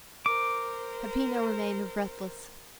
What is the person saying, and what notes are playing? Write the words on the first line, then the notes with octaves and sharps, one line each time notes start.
Peppino remained breathless.
A#4 C5 D6